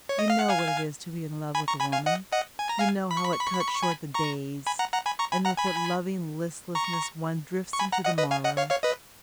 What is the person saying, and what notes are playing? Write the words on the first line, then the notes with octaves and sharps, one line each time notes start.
You know what it is to be in love with a woman, you know how it cuts short the days, and with what loving listlessness one drifts into the morrow.
C#5
D#5
F5
F#5
F5 G#5
G#5 B5
A#5 C#6
G#5 B5
F5 G#5
D#5 F#5
D#5 F#5
G#5
A#5
F5 G#5
B5
C#6
B5
C#6
B5
C#6
B5
C#6
B5
C#6
G#5 B5
A#5 C#6
G#5 B5
F#5 A#5
F#5 A#5
G#5 B5
A#5 C#6
G#5 B5
F#5 A#5
G#5 B5
A#5 C#6
C#6
G#5 B5
F#5 A#5
D#5 F#5
B4 D#5
F5 G#5
D#5 F#5
C#5 F5
C#5 F5
B4 D#5